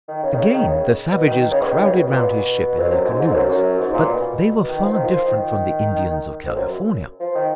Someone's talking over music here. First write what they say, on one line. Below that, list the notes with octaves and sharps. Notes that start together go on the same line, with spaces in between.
Again the savages crowded around his ship in their canoes, but they were far different from the Indians of California.
D#3
C#3
D#3
C#3
D#3
C#3
B2
D#3
D#3
C#3
B2
D#3
C#3
B2
A#2
B2
F2
F#2
G#2
G#2
F2
F#2
F#2
G#2
A#2
B2
D#3
F3
D#3
F3
D#3
F2
F#2
F3
D#3